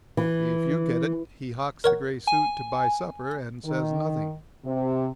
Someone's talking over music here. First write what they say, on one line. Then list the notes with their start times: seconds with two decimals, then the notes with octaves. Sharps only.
If you get it he hocks the gray suit to buy supper and says nothing.
0.17 E3
1.84 A#4 C#5 F#5
2.27 G#5
3.64 D#3
4.65 C3